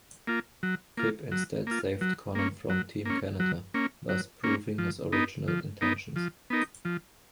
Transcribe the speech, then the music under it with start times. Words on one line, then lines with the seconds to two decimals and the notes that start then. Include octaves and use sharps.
Kip instead saved Konnan from Team Canada, thus proving his original intentions.
0.27 A#3 F4
0.63 F#3
0.97 A#3 F4
1.32 F#3
1.67 A#3 F4
2.01 F#3
2.35 A#3 C#4
2.70 F#3
3.05 A#3 C#4
3.40 F#3
3.74 A#3 C#4
4.09 F#3
4.44 A#3 C#4
4.78 F3
5.12 B3 D#4 A#4
5.48 F3
5.81 B3 D#4 A#4
6.16 F3
6.50 B3 D#4 A#4
6.85 F3